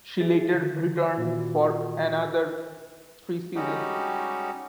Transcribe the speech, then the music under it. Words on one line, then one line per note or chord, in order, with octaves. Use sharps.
She later returned for another three seasons.
E4 G#4 A6
D3 D#3
A#2 D#3 E3 F4 F#4
G3 G#3 C#4 D#4 F#4 G4